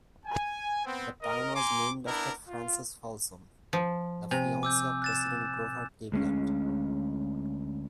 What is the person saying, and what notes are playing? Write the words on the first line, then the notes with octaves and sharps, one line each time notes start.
The town was named after Frances Folsom, the fiancee of President Grover Cleveland.
G#5
B3 C4
A#4 D#5
G#5 A#5 C6 D6
B3 D4 E4 A#4
F4
F3
C3 G#5
D6 E6 G6
F#6 A6 E7
D2 G#3 A3 C#4